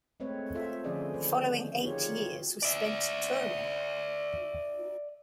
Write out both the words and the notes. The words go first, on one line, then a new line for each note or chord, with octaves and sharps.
The following eight years were spent touring.
G#3 A3 C4 B4 C#5
F4 A4 C5 E5
D3 F3 C#4 G#4 D5 D#5
D#3 C5
D#4 F4 G4 G#4 A#4 C#5
D5 E5